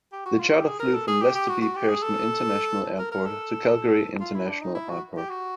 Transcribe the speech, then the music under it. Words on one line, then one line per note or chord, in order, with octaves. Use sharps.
The charter flew from Lester B. Pearson International Airport to Calgary International Airport.
G4
F#4
F4
G4
G#4
A#4
A4
G#4
G4
G4
F#4
F#4
G4
G#4
A4
A#4
A#4
A4
F4
E4
D4
D#4
E4
F#4
G4
F#4